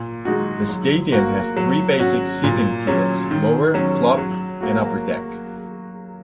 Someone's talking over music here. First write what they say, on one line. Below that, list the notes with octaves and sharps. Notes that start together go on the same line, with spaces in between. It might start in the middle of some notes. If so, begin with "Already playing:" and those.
The stadium has three basic seating tiers: lower, club and upper deck.
Already playing: A#2
G#3 D#4 F#4
F#3
A#3 F#4
F#3
C#4 F#4
A#2
F#3 C#4
D#3
F#3 C#4
F#3
A#3 F#4